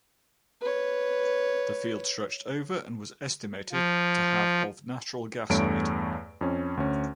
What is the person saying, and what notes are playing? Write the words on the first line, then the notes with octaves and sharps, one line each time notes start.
The field stretched over and was estimated to have of natural gas in it.
B4 C#5
F3
E2 G2 A3 C#5 D7
F2 C#4
D2 C#4